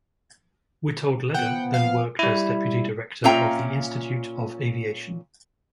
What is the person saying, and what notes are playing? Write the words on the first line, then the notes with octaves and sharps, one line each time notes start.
Witold Leder then worked as deputy director of the Institute of Aviation.
F3 B3 F#5 G5
F5
G3 E4
A#2 C#4 F4 E5 G5 A#5